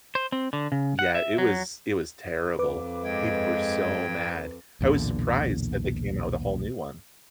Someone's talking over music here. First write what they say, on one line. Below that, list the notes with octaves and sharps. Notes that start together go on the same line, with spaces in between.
yeah, it was it was terrible. People were so mad. I was surprised that they came out with a whole new one.
C5
C4
D3
C#3
F#5
E5
F#3
F2 B4 D6
G2 G#3 D#5 G5 G#6
B1 E2 A#2 D3